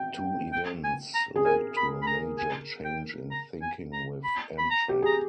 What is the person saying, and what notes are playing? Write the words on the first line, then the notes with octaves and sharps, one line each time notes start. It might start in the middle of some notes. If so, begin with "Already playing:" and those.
Two events led to a major change in thinking within Amtrak.
Already playing: G5
G5
G#5
A#5
G#4
A#4 G#5
B5
B5
A#5
G#5
G5
A#5
G#5
A#5
B5
B5
A#5
G4
G#4 A#5